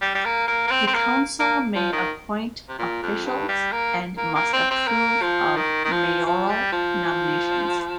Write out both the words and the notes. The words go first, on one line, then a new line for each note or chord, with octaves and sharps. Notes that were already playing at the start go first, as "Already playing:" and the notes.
The council may appoint officials and must approve of mayoral nominations.
G3
G3
A#3
A#3
A#3
C4
C4
A#3
A#3
F3
D#3
C3
A#2
F2
G2
G3
A#3
A#3
A#3
C4
C4
A#3
F3
D#3
D#3
F3
F3
G3
F3